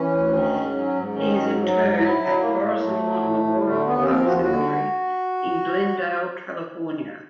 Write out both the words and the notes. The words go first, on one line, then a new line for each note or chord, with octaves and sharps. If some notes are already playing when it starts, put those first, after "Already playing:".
He is interred at Forest Lawn Memorial Park Cemetery in Glendale, California.
Already playing: E3 C#4
D2
D#3
G#2
F#3
G#2
D#3 C#4
G#2
F#3
G#2
F#3 E4
F#3
A2 A#3
A2
F#3 A3
F#3
A2
A2
D3 A3
D#2 B3
C#4
F3 C4
D#2 F#4
F4
F#4
D3